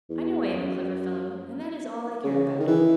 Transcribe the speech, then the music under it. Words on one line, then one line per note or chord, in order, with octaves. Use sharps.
I know I am a clever fellow; and that is all I care about.
E2
F#2
C#3
D#3
E3